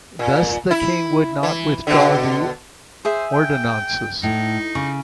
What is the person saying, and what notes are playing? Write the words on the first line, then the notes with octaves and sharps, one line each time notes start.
Thus, the King would not withdraw the "ordonnances".
A#2
E4
E3
B2 D3
G#4 C5 E5
G5
A2 D#4
C#3 C#6